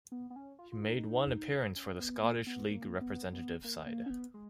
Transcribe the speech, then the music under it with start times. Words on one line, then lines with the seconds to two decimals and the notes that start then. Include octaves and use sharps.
He made one appearance for the Scottish League representative side.
0.12 B3
0.30 B3
0.36 C#4
0.59 F4
0.72 F4
0.83 D#4
1.76 C#4
1.99 B3
2.23 A#3
2.47 B3
2.70 A#3
3.01 B3
3.33 B3
3.64 A#3
3.87 A#3
4.06 C#4
4.10 B3
4.34 G#3